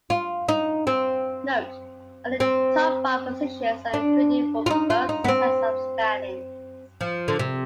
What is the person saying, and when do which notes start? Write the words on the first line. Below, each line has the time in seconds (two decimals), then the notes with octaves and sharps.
Note, only the top five positions are included for both sets of standings.
0.10 F4
0.48 D#4
0.87 C4
2.40 C4
3.94 D4
4.66 F4
4.70 D#4
4.90 F4
5.09 D#4
5.24 B3
5.28 C4
7.01 F3
7.28 D3
7.39 C3